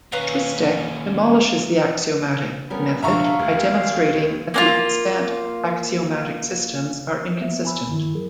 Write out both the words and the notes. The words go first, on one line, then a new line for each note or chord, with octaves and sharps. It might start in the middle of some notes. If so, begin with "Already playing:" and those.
Chwistek demolishes the axiomatic method by demonstrating that the extant axiomatic systems are inconsistent.
D#2 C#4 B4 F5 A#5
G3 B3 C#4 A#4
B2 D3 F3 E5 F5 A#5 C#6
D#2 A3
A#3 D4 F4
A#3 B3 E5
G#5 B5 E6
G2 D#3 E4
F#3 G#4 A#4